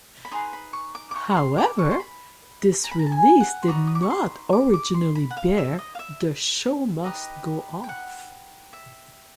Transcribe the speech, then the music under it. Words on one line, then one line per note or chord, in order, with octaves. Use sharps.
However, this release did not originally bear the Show Must Go Off!
B5
D#4 G#4 B4 C6
B5
C#6
D6
D6
C#6
C#6
C6
D6
C#6
C6
B5
A#5
B5
A#5
A5
G#5
F#5
C6
D#4 F#4 B4 D5 B5
D#6
D6
C#6
C6
D6
D6
C6
B5
F#5
F5
E5
D#5
F5
E5
D#4 G4 B4 D#5
G5
F#5
E5